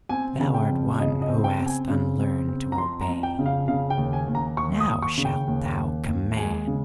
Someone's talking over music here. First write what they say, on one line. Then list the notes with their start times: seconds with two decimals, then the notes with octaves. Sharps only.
Thou art one who hast unlearned to obey: now shalt thou command!
0.09 C4 G#5
0.40 C#3
0.54 G5
0.70 F2
0.99 C#3 D#5
1.22 D#5
1.29 C4
1.44 G5
1.59 C4
1.66 G#5
1.89 C#3
2.19 C4
2.48 C4
2.72 A#5
2.78 F2 C6
3.01 A#5
3.08 F2
3.23 G5
3.39 C#3
3.46 F5
3.68 C#3 F5
3.90 G5
3.97 D#2
4.13 G#5
4.28 D#2
4.35 A#5
4.57 D#2 C#6
4.80 D#6
4.88 D#2
5.02 C#6
5.18 C#3
5.25 G5
5.47 D#2
5.77 D#2
6.07 D#2
6.37 G#3 G#5
6.67 C#3